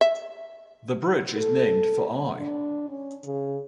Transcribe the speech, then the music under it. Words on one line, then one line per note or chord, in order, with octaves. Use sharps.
The bridge is named for I.
E5
A4
D4
C#4
C#3